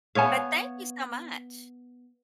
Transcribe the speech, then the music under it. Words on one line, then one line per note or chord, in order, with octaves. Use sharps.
but thank you so much.
B3 C#5 E5 F5 G#5